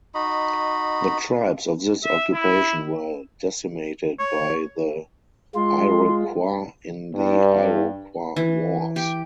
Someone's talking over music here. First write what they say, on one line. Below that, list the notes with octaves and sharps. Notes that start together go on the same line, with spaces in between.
The tribes of this occupation were decimated by the Iroquois in the Iroquois Wars.
D#4 F#4 D#5 B5
E5
E4
C#5
G#3 F4 C6
G2
E3
G4